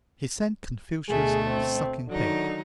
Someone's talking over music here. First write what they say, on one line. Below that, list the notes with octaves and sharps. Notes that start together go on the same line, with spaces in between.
He sent Confucius a sucking pig.
D2 B2 A3 G#4
C4
D3 D#3 F#3 D#4